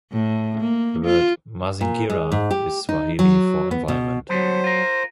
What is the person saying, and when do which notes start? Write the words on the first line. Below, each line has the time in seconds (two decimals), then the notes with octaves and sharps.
The word "Mazingira" is Swahili for "environment".
0.12 A2
0.61 A#3
1.05 F4
1.81 A#2
2.10 G#3
2.32 G#2
2.51 G4
2.89 D#4
3.19 F#3
3.71 B3
3.88 B2
4.29 D3 F#3 G3 B3 C5
4.64 F4 A#4